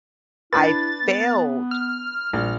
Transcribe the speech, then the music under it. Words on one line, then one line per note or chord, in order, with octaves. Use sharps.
I failed
D4 E4 B4 A6
B3
F6
A#1 G3